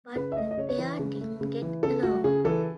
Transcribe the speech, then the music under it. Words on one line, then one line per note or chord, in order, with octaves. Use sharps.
But the pair didn't get along.
C#3 B4
E5
A3 D#5
D#5
C#3 C#5
C#5
E3 B4
C#3
A3
C#3
E3
C#3 A4
A3 F#4
C#3 G#4
E3 A4